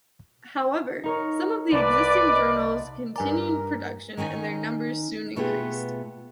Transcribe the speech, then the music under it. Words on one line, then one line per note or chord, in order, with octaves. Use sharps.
However, some of the existing journals continued production and their numbers soon increased.
D#4 A#4 C#5
C2 B4 D5 A5
D#5 A6
G2 A#4 D5 G#5 A#5
D#3 C#4 D#4 G#5
B2 A3 B3 F4 G4 G#4